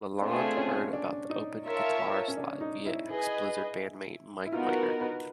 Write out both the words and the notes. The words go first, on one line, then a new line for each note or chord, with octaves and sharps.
LaLonde heard about the open guitar slot via ex-Blizzard bandmate Mike Miner.
A3 C4 D4 F4 G#4
C#4
D4
D#4
F4 A#4 C#5 E5 A5
C#4
D4
D#4
E4
G#4 B4 D#5
E4
B3 D#4 F4 F#4 A#4
B4